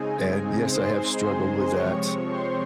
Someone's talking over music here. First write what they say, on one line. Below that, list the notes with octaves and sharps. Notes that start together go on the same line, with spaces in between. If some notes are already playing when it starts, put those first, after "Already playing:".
And, yes, I have struggled with that,
Already playing: C#3 G#3 C4 D#4 G#4 G#5
C5 C6
C3 F3 G#3 C4 C#5 C#6
C5 C6